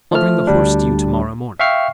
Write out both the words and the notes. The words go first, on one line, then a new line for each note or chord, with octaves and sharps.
I'll bring the horse to you to- morrow morning.'
F3 A3 F6
D2 G3 D4
E5 F5 G5 C#6 F6 C7